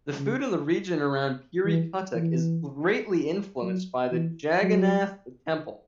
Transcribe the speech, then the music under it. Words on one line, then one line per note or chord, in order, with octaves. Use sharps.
The food in the region around Puri-Cuttack is greatly influenced by the Jagannath Temple.
C#3
E3
E3
F#3
E3
F#3